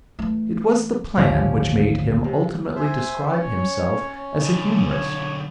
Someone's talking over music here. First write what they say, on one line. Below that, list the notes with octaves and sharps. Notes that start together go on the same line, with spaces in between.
It was the plan which made him ultimately describe himself as a humorist.
E3 A3
G#1 D2 F3 C#4 G4
C3
C5 E5 G#5
C#4 C#5
B1 D3 D#4
C#5